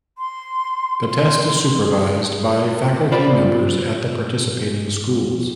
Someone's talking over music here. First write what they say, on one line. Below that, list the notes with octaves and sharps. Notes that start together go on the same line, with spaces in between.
The test is supervised by faculty members at the participating schools.
C6
C6
G#4
F4 C5 D5 B5